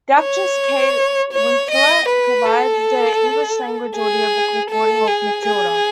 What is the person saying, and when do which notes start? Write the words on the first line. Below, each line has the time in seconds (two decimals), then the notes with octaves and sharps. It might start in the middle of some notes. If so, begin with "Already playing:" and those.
The actress Kate Winslet provides the English-language audiobook recording of "Matilda".
0.21 C#5
1.33 C#5
1.71 D#5
2.09 B4
2.46 A4
3.95 G#4
4.71 A4
5.08 G#4
5.45 G#4